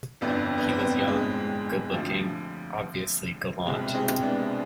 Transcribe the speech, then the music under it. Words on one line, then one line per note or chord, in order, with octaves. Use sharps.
He was young, good-looking, obviously gallant.
G1 F2 D3 B3 D4
B3
C4
B3 D4
B3
G#3
D2 D3 F3
C2 B2 G#3 C4
G#3 C4
B3 D4